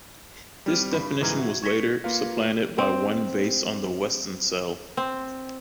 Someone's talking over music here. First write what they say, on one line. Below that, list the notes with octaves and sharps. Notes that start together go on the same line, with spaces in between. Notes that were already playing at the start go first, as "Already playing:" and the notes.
This definition was later supplanted by one based on the Weston cell.
G3 C4 F6 D7 D#7
G2 B5
G#2 E3 G#4 A#5 F6 G#6
F#4 E5
C#6 G#6 A#6 B6 C#7
A#3 F4 A#4 B4 F5
C4
C4